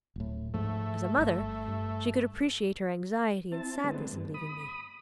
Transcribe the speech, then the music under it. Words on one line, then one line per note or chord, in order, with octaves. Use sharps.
As a mother, she could appreciate her anxiety and sadness in leaving me.
D1 A2
G#2 F3 A3
G1
G2
C4 E4 A5
D3 G#3 A3 B3 C4
G2
B5 D#6